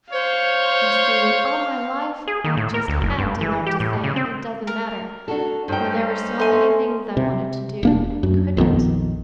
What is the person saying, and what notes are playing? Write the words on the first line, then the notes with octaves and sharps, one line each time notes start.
You see--all my life I've just HAD to learn to say 'It doesn't matter,' when there were so many things I wanted to do, and couldn't.
C5 C#5 F5
G#4
D#3
A2
A#4
D2
F#1
G2
E3
G4
A2
C#3
C4
A#4
D4 F#4 A4
G2 C#4 D#4 C5 G5
A3 G#5 C6
C3
E1 A#3 D4
F#2
A#1 F2 D#3 B3